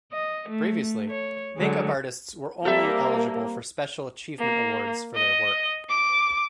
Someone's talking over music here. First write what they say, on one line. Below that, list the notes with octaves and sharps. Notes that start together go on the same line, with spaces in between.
Previously, make-up artists were only eligible for special achievement awards for their work.
D#5
A3
A3
C#5
D3 F#3 G#3
G3 A#3 C4 G4 A4 E5
A#3
D#5
D6